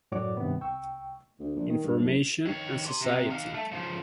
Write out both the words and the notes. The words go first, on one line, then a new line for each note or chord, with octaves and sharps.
Information and society.
F#2 A2 F#4 C#5 D5 D6
G2 C3 D#3 B3
C2 G5 C#6 E6
D2
A#1
D#3
G2
F#1
D#3 C#5
G4 C6
C3
D#4 F5
A3
C#3 F3